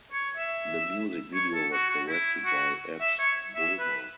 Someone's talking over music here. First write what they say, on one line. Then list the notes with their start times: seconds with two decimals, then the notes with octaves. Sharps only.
The music video was directed by Ed Bulmer.
0.12 C#5
0.37 E5
1.35 C#5
1.53 A4
1.72 F#4
1.89 F#4
2.08 E4
2.45 F#4
3.00 E5
3.19 C#5
3.55 E5
3.80 B4